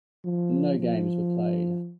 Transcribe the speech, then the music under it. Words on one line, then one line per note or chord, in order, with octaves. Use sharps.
No games were played.
F3
F3